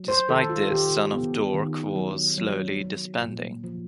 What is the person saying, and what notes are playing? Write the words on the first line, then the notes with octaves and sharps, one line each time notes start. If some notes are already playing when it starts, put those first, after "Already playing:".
Despite this, Son of Dork was slowly disbanding.
Already playing: F#3
C5
D#3 A4
F4
D#3 G4
B3
D#3
F#3
F#3
F#3
A#2
F3